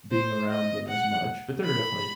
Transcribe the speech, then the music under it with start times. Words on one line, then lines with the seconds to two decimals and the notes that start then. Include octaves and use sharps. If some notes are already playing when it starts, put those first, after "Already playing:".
being around them as much, but there are definitely
0.11 C5
0.51 D#5
0.88 F#5
1.65 B5